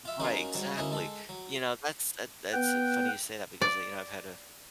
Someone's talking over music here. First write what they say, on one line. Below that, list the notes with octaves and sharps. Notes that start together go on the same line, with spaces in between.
Right, exactly. You know, that's that that's funny you say that, because, a you know, I've had a,
F4 E5
F#3 A#3 C#4 D#4 F4 F#4
G#2 F#3 G3
D2 A#3 C#4 E4 D#5
G#3 A4
F#3
B3 B4 G5
D5